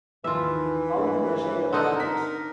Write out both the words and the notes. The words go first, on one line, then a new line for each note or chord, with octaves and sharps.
How to Measure a Planet?
D#2 G#2 E3 F3 F4 E5
G2 G#3 A#3
C4 D4 D#4 A4 F#5
A#4 A#5 B6